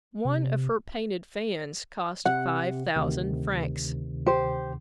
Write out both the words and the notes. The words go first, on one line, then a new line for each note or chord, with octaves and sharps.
One of her painted fans cost five thousand francs.
C3
C3 F#5
D2 C3 D#3
G4 C5